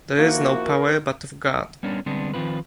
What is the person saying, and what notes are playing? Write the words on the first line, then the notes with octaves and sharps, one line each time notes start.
There is no power but of God.
F3 A#3 E4 F#4
A#4
G3 B3 C#4 D4 A#4
D3 G3 G#3 B3 C4 D4
D#3 F3 C4 F4 B4